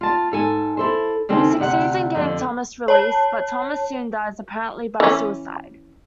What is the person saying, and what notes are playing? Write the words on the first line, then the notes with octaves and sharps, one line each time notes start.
He succeeds in getting Thomas released, but Thomas soon dies, apparently by suicide.
F4 A5
G#2 A4 G#5
E4 A4 C5
D#2 C#3 C4 A4
D2 C3 D5 F#5
F2 D3
C#5 A5
E3 C#4